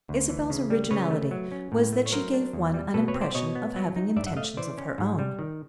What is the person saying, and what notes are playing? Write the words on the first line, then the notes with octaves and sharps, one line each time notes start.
Isabel's originality was that she gave one an impression of having intentions of her own.
D2
E3
C#3
G3
C#3 B4 C#5
A3
F#3
C#4
A2
A3
C#5
F#3 A#4 C5
D4
E2
G3
B2 A4 B4
B4 C#5
C4
C5 D5
B2 C#5 D#5
B3
F#3
D#4
G2 D5 E5
E5 F#5
A3 D#5 F5
E3 C5 D5
C#4
G#2
G3
D#3